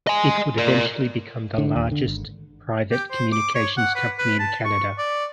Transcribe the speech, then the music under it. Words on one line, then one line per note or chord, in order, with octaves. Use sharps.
It would eventually become the largest private communications company in Canada.
D#5 G#5
A#4 D5
D3
D#2
D3
G#1
G4
C5
D6
C#5
F#5
B4
B4
A5
C#6
D5